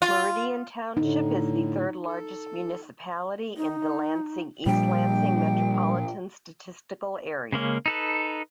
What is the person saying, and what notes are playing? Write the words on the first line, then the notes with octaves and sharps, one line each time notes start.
Meridian Township is the third largest municipality in the Lansing-East Lansing Metropolitan Statistical Area.
F4
A2 D3 D#4
A4
D#4
A#2 F3 G3 D4 G5
C#3 G#3 A#3 C#4
D#4 A4 B4